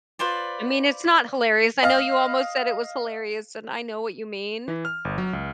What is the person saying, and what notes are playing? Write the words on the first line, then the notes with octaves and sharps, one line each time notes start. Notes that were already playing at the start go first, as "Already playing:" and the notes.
I mean, it's not hilarious, I know you almost said it was hilarious, and I know what you mean.
F4 B4 C5 D5
D#5 F5 F6
E3
F6
G1
F#3
C#2